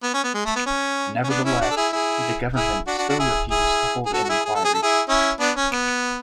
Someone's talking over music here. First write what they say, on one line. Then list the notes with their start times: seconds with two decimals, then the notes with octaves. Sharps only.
Nevertheless, the government still refused to hold an inquiry.
0.03 B3
0.14 C#4
0.24 B3
0.34 G#3
0.45 A3
0.56 B3
0.66 C#4
1.24 C#4
1.29 B3 D4
1.45 C#4 E4
1.61 D4 F#4
1.71 A4
1.76 E4 G#4
1.92 E4 G#4
2.56 E4 G#4
2.87 D4 F#4
2.98 D4 F#4
3.09 D4 F#4
3.19 E4 G#4
3.51 E4 G#4
4.06 G#4
4.13 F#4 A4
4.24 F#4
4.29 E4 G#4
4.45 G#4
4.55 A4
4.65 G#4
4.74 A4
4.83 E4 G#4
5.09 C#4 E4
5.40 B3 D4
5.57 C#4
5.72 B3